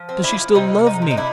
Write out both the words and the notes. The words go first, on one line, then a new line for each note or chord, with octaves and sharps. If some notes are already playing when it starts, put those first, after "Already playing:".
Does she still love me?
Already playing: F3
C4
D4 E4
F3
C3 D#4
C3
D#4
C3
D#4
D4 E4